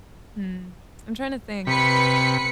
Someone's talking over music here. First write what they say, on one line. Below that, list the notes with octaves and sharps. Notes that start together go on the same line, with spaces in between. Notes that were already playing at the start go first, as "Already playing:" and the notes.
hmm. I'm trying to think.
C3 B4 B6 C#7